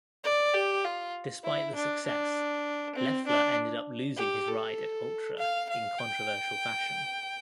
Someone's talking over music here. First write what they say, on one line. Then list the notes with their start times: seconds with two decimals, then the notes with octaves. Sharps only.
Despite the success, Leffler ended up losing his ride at Ultra in controversial fashion.
0.24 D5
0.54 G4
0.85 F4
1.44 E4
1.76 D4
2.06 D4
2.96 C4
3.27 D4
4.17 G4
4.48 A4
5.38 F5
5.69 F5
5.98 G5